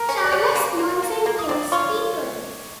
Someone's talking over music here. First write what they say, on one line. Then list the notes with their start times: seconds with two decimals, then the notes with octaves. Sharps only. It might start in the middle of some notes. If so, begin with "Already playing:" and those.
Charles Manson kills people.
Already playing: A#4 A#5
0.09 C#4
0.24 D5 D6
0.32 C#4
0.55 A#3
0.79 A#3
1.02 A#3
1.26 A#3
1.39 D#6
1.48 C4 D5 D6
1.72 F4 C#5 C#6